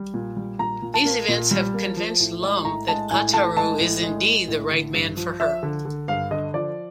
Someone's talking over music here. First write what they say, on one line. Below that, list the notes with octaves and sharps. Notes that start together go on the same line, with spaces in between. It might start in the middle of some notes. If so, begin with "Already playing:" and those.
These events have convinced Lum that Ataru is indeed the right man for her.
Already playing: G3
A#2
G3
A#2 A#5
A#2
A5
A#3
A#2
G3
A#3
F3
A2
G#3
A2 A#5
G#3 A5
A2 G#5
A2 A5
G#3 A5
A2
G#3
G#3
A2
D3
G2
F3
F3 E5
D3
D3
G2 F5
D3 D#5
F3 D5